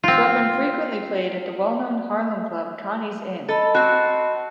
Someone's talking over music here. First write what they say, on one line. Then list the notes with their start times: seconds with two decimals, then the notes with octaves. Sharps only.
Sweatman frequently played at the well known Harlem club Connie's Inn.
0.03 C4 F4
3.49 A4 D#5 A5 B5
3.75 C4 F#4